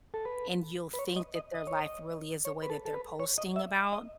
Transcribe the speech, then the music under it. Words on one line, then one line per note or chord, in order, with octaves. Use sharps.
and you'll think that their life really is the way that they're posting about,
A4
B4
B4
C#5
D#5
D#5
D#5
C#5
D#5
C#5
B4
A4
A4
B4
C#5
D#5
E5
D#5